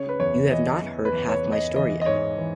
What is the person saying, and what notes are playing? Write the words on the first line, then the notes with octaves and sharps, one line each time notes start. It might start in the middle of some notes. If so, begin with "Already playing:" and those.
You have not heard half my story yet!
Already playing: C#3 C#5
B4
E2 C#5
E3 D#5
E2
B4
E2
C#5
E2
D#5
E3 D#5
D#5
G#2 C#5
E3